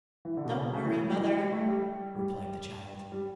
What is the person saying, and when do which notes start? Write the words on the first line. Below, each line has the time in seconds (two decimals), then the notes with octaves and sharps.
"Don't worry, mother," replied the child.
0.25 E3
0.37 D3
0.45 B2
0.50 C#3
0.61 B2
0.73 C#3
0.85 E3
0.97 E3
1.10 F#3
1.20 E3
1.37 G3
1.53 A3
1.68 G3
2.16 G3
3.12 G3